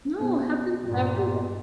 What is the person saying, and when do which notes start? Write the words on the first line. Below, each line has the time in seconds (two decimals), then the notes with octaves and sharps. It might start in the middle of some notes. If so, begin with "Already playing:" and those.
No, happens to everyone.
0.20 B2 C4
0.83 G2 A#2